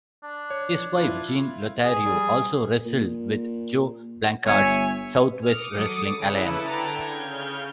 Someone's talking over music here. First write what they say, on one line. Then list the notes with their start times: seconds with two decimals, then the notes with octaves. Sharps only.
His wife, Jean Lothario, also wrestled with Joe Blanchard's Southwest Wrestling Alliance.
0.24 D4
0.50 C#5
0.98 E4 F4
1.84 G#4
2.06 G3
2.86 A#2
4.45 G1 C#5 E5 G#5
5.42 D6 D#6 F6 C#7
5.76 F#3 A4
6.17 C#3 E4 A4 B4
6.65 D3 G5 A5 A#5 D6 G#6
7.03 C#3 F6 G6 G#6